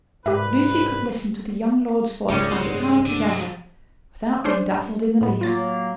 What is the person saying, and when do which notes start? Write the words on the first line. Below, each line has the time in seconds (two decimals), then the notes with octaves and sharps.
Lucy could listen to the young lord's voice by the hour together--without being dazzled in the least.
0.26 C2 G#2 G4 B4 E5
2.30 C#2 G#2 G3 G#3 A#3 C#4
2.50 C4 F#4 C#5
2.68 G2 C3
3.07 D3
3.28 F#3 G#3
4.44 C#4 D4 C5
5.21 A2 B3
5.41 F#3 A#3 F4 A6